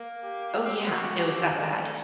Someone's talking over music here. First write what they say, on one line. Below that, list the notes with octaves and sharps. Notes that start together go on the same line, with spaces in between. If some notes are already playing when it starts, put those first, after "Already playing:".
Oh, yeah. It was that bad.
Already playing: A#3
G4
B3
C4
B3
C4 F#4
B3
B3 G4
C4
G3
G#3 D4
G3
A3